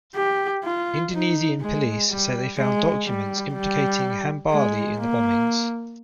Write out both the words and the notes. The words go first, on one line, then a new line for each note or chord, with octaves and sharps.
Indonesian police say they found documents implicating Hambali in the bombings.
G4
F4
D#4
G#3
G3
G#3
G3
G3
G#3
A#3